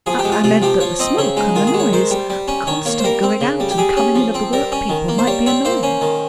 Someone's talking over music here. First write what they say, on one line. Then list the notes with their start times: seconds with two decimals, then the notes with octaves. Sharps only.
'I meant that the smoke and the noise--the constant going out and coming in of the work-people, might be annoying!'
0.06 F3 G#4
0.19 G4
0.25 G#3
0.32 F4
0.44 C3 F4
0.62 F3 G4
0.80 F3 C#5
0.99 C4 D#5
1.18 C#3 C#5
1.37 G#3 D#4
1.55 D#3 F4
1.67 G#4
1.74 G#3
1.80 C#5
1.93 D#3 C5
2.11 G3
2.30 G3
2.48 C#4
2.67 D#3 C#5
2.85 A#3 C#5
2.99 C5
3.04 G3 A#4
3.23 C4
3.41 C#3
3.60 G3
3.71 G4
3.78 G3 G#4
3.97 C#4
4.15 F3
4.34 C4
4.53 G3 A#4
4.72 C#4
4.89 D#3
5.08 A#3
5.18 C5
5.27 G3 C#5
5.46 C4 C#5
5.65 A#3 C5
5.83 C#4
6.01 D#3